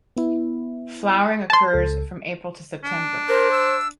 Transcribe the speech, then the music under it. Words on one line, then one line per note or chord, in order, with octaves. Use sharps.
Flowering occurs from April to September.
B3 E4
A5 C6
C#2 A4
D4
A#4 C5
E6